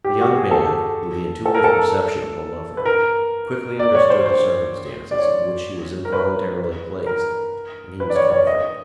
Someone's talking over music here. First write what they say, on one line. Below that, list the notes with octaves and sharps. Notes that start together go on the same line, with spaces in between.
The young man, with the intuitive perception of a lover, quickly understood the circumstances in which she was involuntarily placed, and he was comforted.
G4
F#4
G#4
A4
A4
A#4
A4
B4
A#4
D5
C#5
C5
C5
D5
C#5
A#4
B4
A#4
B4
D5
C#5
C#5
D#5